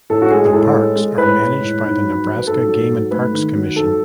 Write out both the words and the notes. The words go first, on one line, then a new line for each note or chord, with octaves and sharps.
The parks are managed by the Nebraska Game and Parks Commission.
A2 A4
F#4
G#3 G#4
G#4
A2 A4
G#3
G#3
A2 B4
G#3
A2
G#2
F#3
F#3
B4
G#2 A4
F#3
G#2
A3 B4
D#3
F#3
G#2 A4